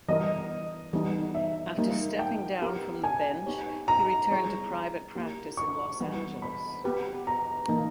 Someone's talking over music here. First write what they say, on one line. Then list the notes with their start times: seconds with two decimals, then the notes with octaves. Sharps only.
After stepping down from the bench he returned to private practice in Los Angeles.
0.09 E3 G3 B3 E4 A#4 D#5
0.93 E3 G3 B3 D#4
1.35 E5
1.77 G3 A#3 D#4
2.19 G5
2.62 B3 G4 A#4
3.04 G#5
3.46 B3 D#4 G4 C#5
3.88 A#5
4.31 G3 B3 E4 G#4 C#5
5.15 A#3 E4 G4 A#4
5.57 C#6
6.00 E3 G3 B3
6.42 B5
6.84 B3 G4 B4
7.27 A#5
7.68 E3 A#3 D#4